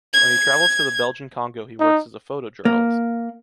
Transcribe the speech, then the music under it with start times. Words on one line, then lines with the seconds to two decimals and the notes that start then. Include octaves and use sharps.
When he travels to the Belgian Congo he works as a photojournalist.
0.14 G#6
1.80 D#4
2.65 A#3